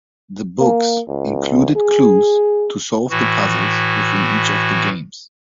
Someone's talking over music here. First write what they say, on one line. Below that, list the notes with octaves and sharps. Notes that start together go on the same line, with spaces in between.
The books included clues to solve the puzzles within each of the games.
A#3
C#2
G#4
A2 E3 F#4